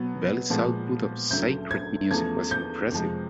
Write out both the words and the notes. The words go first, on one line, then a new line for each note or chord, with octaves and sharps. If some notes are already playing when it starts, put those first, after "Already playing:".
Belli's output of sacred music was impressive.
Already playing: B2 F#3 B3
A#2 F3 G#3 B3
D2 C#3 F#3 A3 G6
G#6
E2 C#3 F3 A3 G#6
G6
F2 C3 F3 G#3